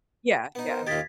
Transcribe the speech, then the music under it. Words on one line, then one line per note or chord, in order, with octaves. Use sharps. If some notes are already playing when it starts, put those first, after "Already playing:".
Yeah, yeah.
B3 D#4
A#4 C5
D#2 D#3 F4 G4 D#5 G#6 A6 B6